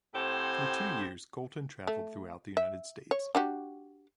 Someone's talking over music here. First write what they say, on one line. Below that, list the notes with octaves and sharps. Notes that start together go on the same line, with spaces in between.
For two years Colton traveled throughout the United States.
A2 C4 G4 C5 F#5 G#5
A3
E5
C#5
D4 F#4 G4